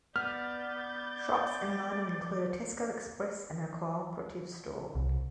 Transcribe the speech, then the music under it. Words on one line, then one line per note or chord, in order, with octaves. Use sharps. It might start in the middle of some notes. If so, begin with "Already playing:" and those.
Shops in Lyneham include a Tesco Express and a Co-Operative store.
B3 D5 F6 G6 A6
C2